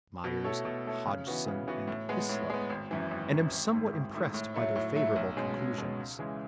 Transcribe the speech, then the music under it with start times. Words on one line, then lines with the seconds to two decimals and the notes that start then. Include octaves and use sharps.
Myers, Hodgson, and Hyslop, and am somewhat impressed by their favorable conclusions.
0.24 B2
0.44 A3 E4 A4 C#5
0.65 B2
0.86 A3 E4 A4 C#5
1.07 C#3
1.27 E3 B3 F#4
1.47 C#3
1.67 E3 B3 F#4
1.87 A2
2.09 G#3 B3
2.29 A2
2.50 G#3 B3
2.70 G#1
2.91 F#2 E3
3.11 G#1
3.32 F#2 E3
3.53 G#1
3.73 G#2 D#3 A3 E4
3.93 G#1
4.14 G#2 D#3 A3 E4
4.34 A2
4.54 F#3 A3 E4
4.76 A2
4.95 F#3 A3 E4
5.16 B1
5.37 B2 G#3 C#4
5.57 B1
5.78 B2 G#3 C#4
5.99 C#2
6.19 C#3 E3 G#3